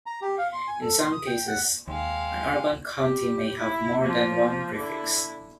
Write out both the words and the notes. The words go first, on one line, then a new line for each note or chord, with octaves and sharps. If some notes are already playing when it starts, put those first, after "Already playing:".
In some cases, an urban county may have more than one prefix.
A#5
G4
F5
C6
G#5
A4
C6
D#6
G5
F#5
D#2 G#3 F5 G5
G3 G4
E4
F3 A#3
D3 E4